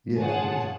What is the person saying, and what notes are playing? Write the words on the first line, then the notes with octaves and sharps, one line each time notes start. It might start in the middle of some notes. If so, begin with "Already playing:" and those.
Yeah, yeah.
F4 G#4 C#5 F#5 A5